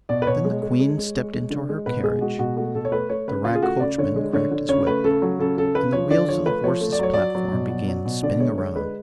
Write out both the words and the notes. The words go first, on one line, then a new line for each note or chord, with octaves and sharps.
Then the Queen stepped into her carriage, the rag coachman cracked his whip, and the wheels of the horses' platform began spinning around.
B2 D5
B4
B2 C#5
G#3
G#3
G#3
G#3
G#3
G#3
D3
G#3
B2 B4
G#3 G#4
G#3 F#4
B2 F#4
A3 F#4
B2 A4
C#5
A3 B4
A3 C#5
C#3 B4
C#3 F4
G#4
A3 F#4
C#3 D5
D3 C#5
G#3
D3 C#5
D3
C#3 C#5
A3 B4
C#3 A4
F#3
C#3 A4
C#3 A4
C#3 B4
F3 C#5
D3 D5
F3 C#5
A3 B4
F3 C#5
A3
D5
F#3 C#5
F#3 D5
F#3
B2
F#3
F#3
B2
D3 D5
G#3 C#5
D3 C#5
G#3 B4